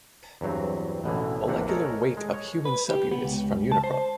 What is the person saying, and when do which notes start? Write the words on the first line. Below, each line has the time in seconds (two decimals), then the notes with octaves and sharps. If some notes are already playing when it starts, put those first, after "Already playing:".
Molecular weight of human subunits from Uniprot.
0.41 E2 G2 F#3 C4
1.04 A1 B2 D3 E3
1.48 A#1 E2 A#3 C4 D4 F#5
1.69 A4 A#4 C#5 D#5 F#5 G#5
2.17 G#3
2.33 C#5
2.65 B4
2.90 G4
3.11 B3
3.24 C#2
3.72 A5
3.84 C5